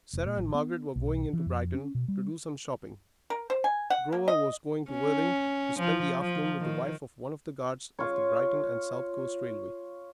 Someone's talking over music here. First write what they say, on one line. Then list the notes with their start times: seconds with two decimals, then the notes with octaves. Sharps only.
Sarah and Margaret were going into Brighton to do some shopping, Grover was going to Worthing to spend the afternoon with the wife of one of the guards of the Brighton and South Coast Railway.
0.13 F1
0.26 A#2
0.37 A1
0.54 B3
0.96 B1
1.33 E3
1.46 F2
1.74 C#4
1.95 B2
2.08 G3
3.30 A#4
3.50 C5
3.64 G#5
3.90 F#5
4.12 A#3
4.28 D#5
4.90 C#4
5.79 F3
6.21 F3
6.60 D#3
7.99 F4 C#5